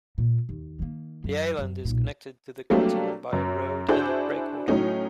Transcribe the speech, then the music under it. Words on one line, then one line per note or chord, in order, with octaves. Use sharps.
The island is connected to the continent by a road and a breakwater.
A#2 A#3
D#2
D#3 A#3
F#2
F#2
B1 A#2
F#3 G3 A3 A#3 C4 D4
F#2
D4 E4 F#4 G#4 C5 G6
A2 F#3 C#4 D#4